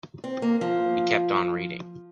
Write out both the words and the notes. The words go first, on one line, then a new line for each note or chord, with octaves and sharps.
He kept on reading.
C4
A#3
F3